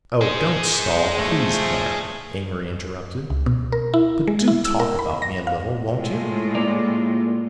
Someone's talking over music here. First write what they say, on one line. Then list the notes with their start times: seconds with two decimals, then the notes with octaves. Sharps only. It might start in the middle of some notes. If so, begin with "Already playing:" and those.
"Oh, don't stall, please, Clara," Amory interrupted; "but do talk about me a little, won't you?"
0.21 G#4 C5
1.17 F3 A3
3.30 C#2
3.46 B2
3.72 A#4
3.94 E4
4.28 G#3
4.48 E4
4.65 E6
4.80 A#4
4.99 B5
5.22 A#6
5.47 F5
5.95 A2 G#3 F4
6.55 A#3 A#4 D5